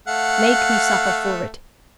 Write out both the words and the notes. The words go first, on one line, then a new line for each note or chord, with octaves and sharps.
Make me suffer for it.
A3 F5 F#5